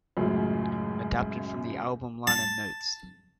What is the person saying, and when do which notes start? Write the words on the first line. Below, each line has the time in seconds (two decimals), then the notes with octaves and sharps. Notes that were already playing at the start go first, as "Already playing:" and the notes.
Adapted from the album liner notes.
0.17 C#2 F#2 A2 C#3
2.27 A5